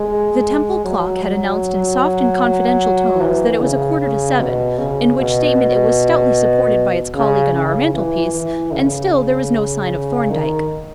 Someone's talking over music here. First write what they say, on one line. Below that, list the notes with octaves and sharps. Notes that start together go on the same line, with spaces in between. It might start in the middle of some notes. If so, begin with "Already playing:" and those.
The Temple clock had announced in soft and confidential tones that it was a quarter to seven, in which statement it was stoutly supported by its colleague on our mantelpiece, and still there was no sign of Thorndyke.
Already playing: G#3
F#3
F#3
E3
C#3
C#3
B2
C#3
B2
B2
C#3
C#3
E3
E3
C#3
D#3